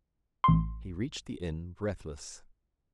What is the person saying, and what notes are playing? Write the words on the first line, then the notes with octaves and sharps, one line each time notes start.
He reached the inn, breathless.
A1 C6